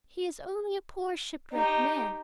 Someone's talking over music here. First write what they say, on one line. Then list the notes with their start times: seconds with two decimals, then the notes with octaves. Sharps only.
He is only a poor shipwrecked man.
1.52 D#4 G4